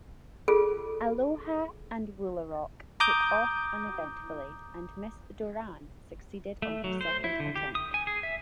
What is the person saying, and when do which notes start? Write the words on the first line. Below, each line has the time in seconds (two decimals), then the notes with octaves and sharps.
"Aloha" and "Woolaroc" took off uneventfully, and "Miss Doran" succeeded on her second attempt.
0.48 F4 G#4 A4
3.00 A#5 D6 D#6 G6
6.62 A3
6.84 F#3
7.01 C5
7.24 E4
7.40 D3
7.56 G4
7.75 D#6
7.94 G#5
8.07 G#4
8.23 E5